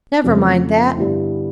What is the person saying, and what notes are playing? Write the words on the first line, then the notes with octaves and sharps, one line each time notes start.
'Never mind that.
F2 C#3 F3 A3
G2 D3 G3 B3 E4